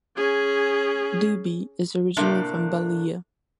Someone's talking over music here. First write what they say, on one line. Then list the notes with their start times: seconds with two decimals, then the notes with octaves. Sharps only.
Dubey is originally from Ballia.
0.17 C#4 G#4
2.17 A2 C3 A3 A#3 D4